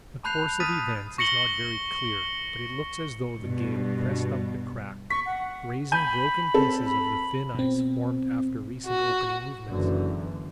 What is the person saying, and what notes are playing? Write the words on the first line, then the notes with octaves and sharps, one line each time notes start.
The course of events is not very clear, but it looks as though the gale pressed up the crack, raising broken pieces of the thin ice formed after recent opening movements.
A5 B5 F#6 G6 C7 F7
A5 D#6 F6 A6 B6 D#7
C#6 A#6 C#7 F#7 G7
G2 B2
C#6 B6
F#5
G#5 B5 G6 D#7
C4 A4
B5
B2 C4
F#4
F#1 F#2 D3 E3